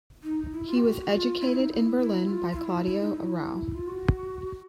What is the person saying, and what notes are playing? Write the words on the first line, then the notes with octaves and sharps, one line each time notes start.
He was educated in Berlin by Claudio Arrau.
D#4
E4
F4
G4
F#4
F4
E4
D#4
E4
E4
F4
F4
E4
E4
D#4
E4
F4
F#4